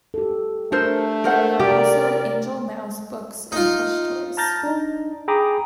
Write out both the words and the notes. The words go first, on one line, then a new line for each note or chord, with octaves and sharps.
There are also Angelmouse books and plush toys.
G4 A4
A3 D4 A4 A#4 C5
A#4 C5 F#5
C3 G4 A#4 D5
D#4 F4
A5 A#5 F6 G6 A6 A#6
D4 D#4
G#4 G5 A#5 B5 D6 D#6